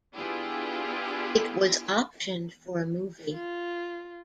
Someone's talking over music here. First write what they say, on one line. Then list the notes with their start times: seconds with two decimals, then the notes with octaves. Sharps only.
It was optioned for a movie.
0.16 B3 D4 E4 F4 G4 G#4
3.33 F4